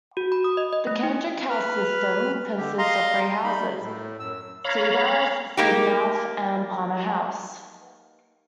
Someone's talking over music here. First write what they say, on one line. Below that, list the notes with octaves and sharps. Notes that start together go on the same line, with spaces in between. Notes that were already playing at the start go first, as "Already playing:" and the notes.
The Kendrick House system consists of three houses; Cedars, Sidmouth and Palmer House.
F#4
B5
D#6
D#5
D#5
A3
D#4
B4 F6
D3 G4
D#5 F5 A#5 C6
G3 D#4 B5
A2
F#2 E6
C#5 F5 A#5 B5
A#3 D#4 G4